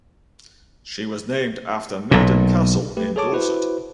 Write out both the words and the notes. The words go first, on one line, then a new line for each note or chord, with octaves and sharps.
She was named after Maiden Castle in Dorset.
B1 A#2
A3 G4 B4
G#4 A4 C#5 A5 D6
E4 F#4 B4 C5